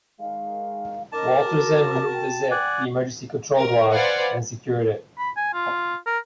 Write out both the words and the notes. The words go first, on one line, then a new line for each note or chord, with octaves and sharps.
Walter Zinn removed the zip, the emergency control rod, and secured it.
D#3 G#3 F5
C#4 D#4 A#4 D#5 A5 D6
F#4
G5
D5 F#5 G#5
A#4
B4 C5 D5 F5 F#5 G#5
B5
G#5
F4
A#4